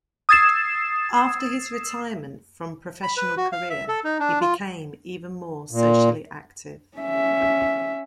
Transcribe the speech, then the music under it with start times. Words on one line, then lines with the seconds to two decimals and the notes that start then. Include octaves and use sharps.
After his retirement from professional career, he became even more socially active.
0.29 D#6 E6 G#6 A6 C7 E7
3.03 B5
3.17 B4
3.37 F#4
3.52 F5
3.70 E5
3.88 A4
4.04 D#4
4.20 D4
4.41 F4
5.71 A#2
6.98 C#4 E5